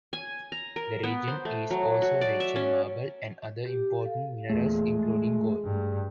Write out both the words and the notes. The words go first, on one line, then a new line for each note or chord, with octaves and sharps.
The region is also rich in marble, and other important minerals, including gold.
G#5
A#5
A#4
B3
C5
A3
F#3
F#4
D5
E5
C#4
G4
A4 F5
E2 A#2 A3 G#4
G#3
G2